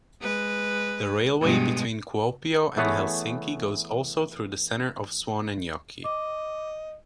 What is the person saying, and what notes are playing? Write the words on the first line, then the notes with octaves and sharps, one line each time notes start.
The railway between Kuopio and Helsinki goes also through the center of Suonenjoki.
G#3 B4
G2 B2 G#3
E3 A3 B3 G#4 B4 C#5
D#5 D6